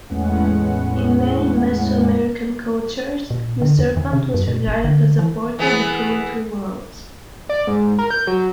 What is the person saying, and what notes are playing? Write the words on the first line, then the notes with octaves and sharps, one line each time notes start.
In many Meso-American cultures, the serpent was regarded as a portal between two worlds.
E2 A2 G#3 B3 C#4 F#5
A#2
D3
F2
D#3
C3
F#2
A#2
G#1
D3
E3
E3 B3 G#4
D5
G#2
A#4
G6
F#3